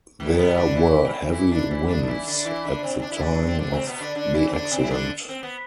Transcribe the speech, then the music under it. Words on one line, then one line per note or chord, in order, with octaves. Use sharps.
There were heavy winds at the time of the accident.
E2 E3
B2 B3
D3 D4
E3 E4
C3 C4
E3 E4
D3 D4
E3 E4
D3 D4
D4
E3 E4
D3 D4
E3 E4
D3 D4
C3 C4
D4
E4
D3 D4
C4
D3 D4
C3 C4
B2 B3
D3 D4
D3 D4
E3 E4
C4
D3 D4
C3 C4
E4
D3 D4
C4
B3